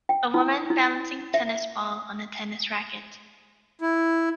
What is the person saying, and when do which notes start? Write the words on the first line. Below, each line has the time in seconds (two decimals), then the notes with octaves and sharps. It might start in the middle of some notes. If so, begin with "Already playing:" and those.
A woman balancing tennis ball on a tennis racket.
0.09 G5
0.34 E4
0.70 E4
1.34 E5
3.81 E4